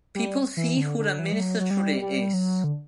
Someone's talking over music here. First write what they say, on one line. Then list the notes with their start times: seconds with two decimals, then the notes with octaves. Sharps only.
People see who their minister truly is.
0.15 G3
0.57 E3
0.77 D3
0.99 D3
1.19 E3
1.33 G3
1.40 F#3
1.60 F#3
1.71 G3
2.02 G3
2.33 F#3
2.64 D3